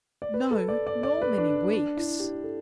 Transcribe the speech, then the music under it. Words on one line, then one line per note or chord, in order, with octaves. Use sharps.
"No--nor many weeks."
D5
B4
A4
D5
D5
D5
B4
D4
D4
E4
G4
A4